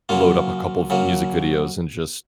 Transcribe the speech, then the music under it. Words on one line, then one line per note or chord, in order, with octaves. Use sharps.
load up a couple of music videos and just
C#3 F#3 A#3 F4
C#3 F#3 A#3